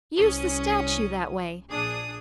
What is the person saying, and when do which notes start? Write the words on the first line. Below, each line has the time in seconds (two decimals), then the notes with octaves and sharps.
"Use the statue that way."
0.17 C2 C#4 D#6
1.69 A#1 D4 G#4 D#6